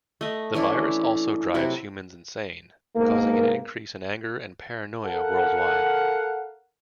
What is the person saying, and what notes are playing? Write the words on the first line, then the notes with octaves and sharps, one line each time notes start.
The virus also drives humans insane, causing an increase in anger and paranoia worldwide.
A3 D#5
E3 C#4 D4 E4
C3 F#3 E4 F#4
G#2 B2 A#3
A4 A#4 F5 F#5